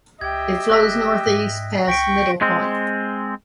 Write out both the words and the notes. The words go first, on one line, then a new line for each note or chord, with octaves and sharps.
It flows northeast past Middle Point.
C#2 G4 D#5 E5 G5 G#6
F#1 F#6 A#6 B6
G#2
C#2 G5 C#6 A#6 B6 D7
G#3 C4